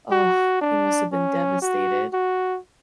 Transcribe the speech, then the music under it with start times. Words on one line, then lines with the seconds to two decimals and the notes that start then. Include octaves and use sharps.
oh, he must have been devastated.
0.11 F#4
0.61 D4
1.12 C#4
1.62 F#4
2.13 F#4